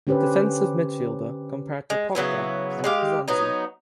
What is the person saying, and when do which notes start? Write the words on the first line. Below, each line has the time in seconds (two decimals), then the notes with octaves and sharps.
Defensive midfielder compared to Pogba and Nzonzi.
0.07 D3 C#4 G4 B4 C5
1.90 G#3
2.15 C#3 F#3 B3 E4
2.84 G#3 G4 F5
3.28 F#3 B3 D#4